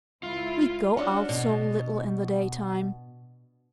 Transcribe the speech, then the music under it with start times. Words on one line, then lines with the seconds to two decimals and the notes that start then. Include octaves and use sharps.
"We go out so little in the daytime."
0.23 C#2 E4 F4
0.97 C#4 D4 F#4
1.29 B2